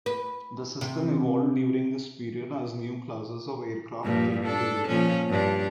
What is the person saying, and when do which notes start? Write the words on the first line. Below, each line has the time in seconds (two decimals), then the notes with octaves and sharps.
The system evolved during this period as new classes of aircraft came into use.
0.06 B4
0.81 C3
4.03 G2 A#2 F3
4.42 D4 A4
4.87 A#2 F3 C#4
5.29 G2 D4